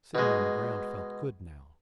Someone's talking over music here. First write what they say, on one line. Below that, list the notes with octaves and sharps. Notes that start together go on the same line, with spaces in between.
Sitting on the ground felt good now.
B2 G#3